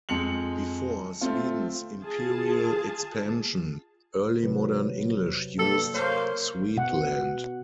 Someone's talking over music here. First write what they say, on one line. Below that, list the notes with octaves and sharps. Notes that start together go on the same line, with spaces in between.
Before Sweden's imperial expansion, Early Modern English used "Swedeland".
F2 G#3 C#7 F7 F#7
A3 C4 F4
F4 G#4 A5
C3 F#3 B4
G2 A#3 G4 A4
A#3 C5 C#5
B2 F#5